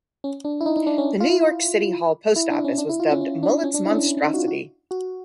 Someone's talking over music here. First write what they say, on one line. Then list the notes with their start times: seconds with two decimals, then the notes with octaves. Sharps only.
The New York City Hall Post Office was dubbed Mullett's monstrosity.
0.24 C#4
0.45 D4
0.61 E4
0.66 D#4
0.77 D#4
0.87 D4
0.98 C#4
1.20 F4
1.30 E4
2.36 E4
2.50 D4
2.64 C#4
2.78 D4
2.89 E4
3.00 F4
3.11 C#4
3.21 C#4
3.43 D4
3.64 C#4
3.74 D4
3.85 E4
3.90 C#4
3.95 D4
4.06 C#4
4.17 C#4
4.27 D#4
4.34 F#4
4.38 F4
4.48 F#4
4.91 F#4